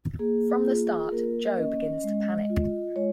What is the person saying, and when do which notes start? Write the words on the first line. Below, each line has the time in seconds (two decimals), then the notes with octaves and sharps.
From the start, Joe begins to panic.
0.19 A#3 G#4
0.50 G#4
0.66 F4
0.81 G#4
1.04 G#4
1.12 A#3 A#4
1.57 C#4 D#5
2.04 G#3
2.50 F4
2.96 G#3 C#5